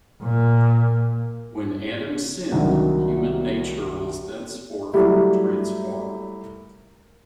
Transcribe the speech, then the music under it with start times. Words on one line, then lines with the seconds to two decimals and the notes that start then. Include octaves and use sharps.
When Adam sinned, human nature was thenceforth transformed.
0.22 A#2
2.52 C2 D3 D#3 F#3
4.94 F#3 G3 A3 E4 G4